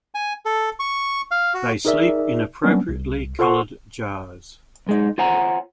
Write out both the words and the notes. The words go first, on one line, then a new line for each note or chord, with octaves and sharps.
They sleep in appropriately colored jars.
G#5
A4
C#6
F5
F#4
D#4 G#4 A#4 D5 E5
F#3 G3 A#3 B3 C#4 D4
C2
F4 A4 C5 F#5 C6 C#6
B1 G#3 D#4
F4 C5 C#5 F#5 G#5 A#5